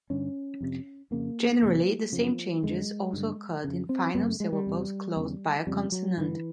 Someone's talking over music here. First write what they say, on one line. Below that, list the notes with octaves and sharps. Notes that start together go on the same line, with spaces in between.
Generally, the same changes also occurred in final syllables closed by a consonant.
G2 D3 C#4
F2 C3
F2 C#3 A#3
E2 C3
F#2 C#3 F3
F2 D3 G#3
G2 D3
F2 C#3
C4
F#2 C#3 B3
A3
G#3
G3
E2 C3
E2 C#3
F2 C#3 G3
F#3
G2 D3 E3